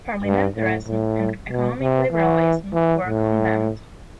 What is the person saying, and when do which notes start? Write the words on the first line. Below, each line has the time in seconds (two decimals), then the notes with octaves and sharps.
Parliamentarism and economic liberalism were condemned.
0.24 G2
0.56 A2
0.87 A2
1.49 B2
1.80 C3
2.11 E3
2.73 E3
3.05 A2